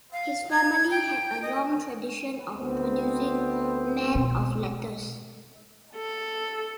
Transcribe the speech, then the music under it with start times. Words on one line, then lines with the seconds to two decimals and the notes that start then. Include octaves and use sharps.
His family had a long tradition of producing men of letters.
0.13 F5
0.51 G#6
0.91 G5
1.42 D#5
2.57 D2 B3 C4
4.15 B2
5.96 A4